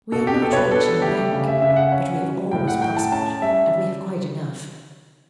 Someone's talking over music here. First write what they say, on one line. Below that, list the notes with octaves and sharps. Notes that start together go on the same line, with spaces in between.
We are not rich in the bank, but we have always prospered, and we have quite enough.
B2 A4
G4
B2 A4
C#5
B4
D4 A4
A3 G4
C#3
E5
C#3 E5
F#5
C#4
F#3
A2 G5
F#5
A2 G5
A5
C#4 A5
G3 E5